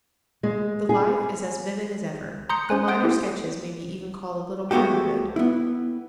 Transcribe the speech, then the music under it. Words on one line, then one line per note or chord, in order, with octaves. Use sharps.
The life is as vivid as ever; the minor sketches may be even called a little more vivid.
G#3
G#4
A#5 C6 D#6 G6 C#7
C#4 C5 G#5 F#6
C4 F#5 C6 D#6 G6 D7
A#3 B3 E4 G4 A4
G#3 A3 B3 F#4 G4
B3 E4